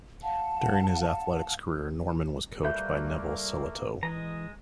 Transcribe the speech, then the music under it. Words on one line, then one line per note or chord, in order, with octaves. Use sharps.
During his athletics career Norman was coached by Neville Sillitoe.
F5 F#5 A5
G3 A3 A#3 F#4 B4 E5 B5 G6
E3 G#3 D#5 A#5